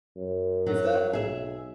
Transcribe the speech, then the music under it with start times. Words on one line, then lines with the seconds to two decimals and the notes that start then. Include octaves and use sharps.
is that
0.17 F#2
0.66 F#3
1.13 B1 G#4 E5